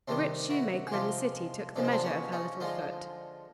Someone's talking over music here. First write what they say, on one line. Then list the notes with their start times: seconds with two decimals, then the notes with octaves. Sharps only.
The rich shoemaker in the city took the measure of her little foot.
0.08 C3 D#3 G3 C4 D4
0.50 E4 F#4
0.87 G#4
0.91 C3 F3 G#3 F4 G4
1.76 C3 F3 G#3 D4
1.84 D#4
1.91 C4 D4
2.04 B3 C#4
2.32 C#4 D#4
2.60 D3 F3 G#3 D#4 F4